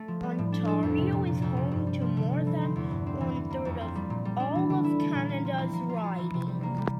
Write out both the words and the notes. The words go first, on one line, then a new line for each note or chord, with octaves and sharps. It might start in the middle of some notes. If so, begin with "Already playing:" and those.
Ontario is home to more than one third of all of Canada's ridings.
Already playing: A3
F3
G3
A2
D4
A4
F2
C3
A#2
A#2
F2
C3
G2
G3
F3
D3
A3
E3
C4
E2
G2
C4
E3
E3
A#3
F2
C4
G3
A#2
G3
D4
E3
D3
E4
A3
A#2
A#3
F3
E3
A#3
F4
F4
E3
C3
G3
A#3
G3